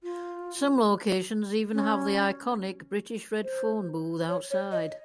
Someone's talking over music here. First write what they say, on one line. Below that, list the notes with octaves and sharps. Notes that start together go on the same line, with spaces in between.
Some locations even have the iconic British red phone booth outside.
F4
C#4
C5
C#5
C#5
D#5